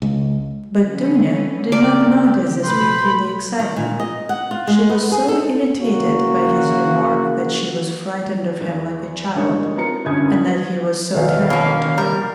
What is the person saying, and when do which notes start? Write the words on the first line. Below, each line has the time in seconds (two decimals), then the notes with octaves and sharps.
But Dounia did not notice this peculiar excitement, she was so irritated by his remark that she was frightened of him like a child and that he was so terrible to her.
0.02 C#2
0.85 D3 B3 C#4
1.72 C#3 G4 A#4 D5
2.63 B1 A3 B4 C5 B5 C6
3.59 D#3
3.76 A#2
4.00 D#5
4.29 F#5
4.51 F4
4.67 G#3
4.90 B3
5.12 G#4
5.28 A4
5.80 C#3 A#3 E4 F#4
8.61 E2
9.35 G2 D3 G#3 D#4 A#4 C#5
9.76 B3 C4 F4 A#4 A#5 C#7
10.05 G1 F#2 C#4 E4 D#6 G#6
10.45 B3
11.15 B1 E2 D#3 A3 F5
11.50 B2 A#3 C#4
11.98 G3 A#4